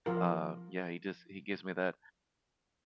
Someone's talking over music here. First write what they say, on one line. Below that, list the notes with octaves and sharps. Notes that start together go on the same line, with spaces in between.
uh, yeah, he just he gives me that
F3 F4 A#4